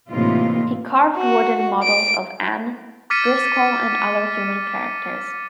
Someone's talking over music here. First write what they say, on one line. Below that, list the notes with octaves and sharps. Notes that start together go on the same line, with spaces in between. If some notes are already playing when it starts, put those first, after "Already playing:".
He carved wooden models of Ann, Driscoll, and other human characters.
A2 C3 E3 A#3 D#4 F4
F#4
D7
D6 F6 A6 B6 C#7 D#7